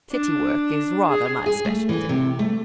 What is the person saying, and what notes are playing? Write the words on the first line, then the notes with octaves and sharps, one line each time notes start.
"City work is rather my specialty."
D4
G#4
G#4
A3
E3
C3
A3